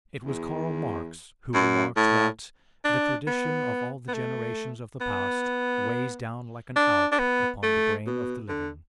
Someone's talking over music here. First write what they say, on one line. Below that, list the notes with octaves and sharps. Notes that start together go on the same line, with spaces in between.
It was Karl Marx who remarked that, "The tradition of all the generations of the past weighs down like an Alp upon the brain of the living."
E2
F#2
A2
D4
B3
B3
A3
B3
D4
D4
B3
A3
B2
D3